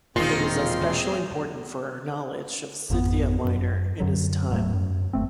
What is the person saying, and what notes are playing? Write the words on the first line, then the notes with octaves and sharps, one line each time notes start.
It is especially important for our knowledge of Scythia Minor in his time.
E1 A#2 D#3 C4 F4 G#4 C6
G#1 F2 E3 B3
F#2
F#2 D3 F#3
D1 G#2 F#3 A3
F#2
G1 A3 C4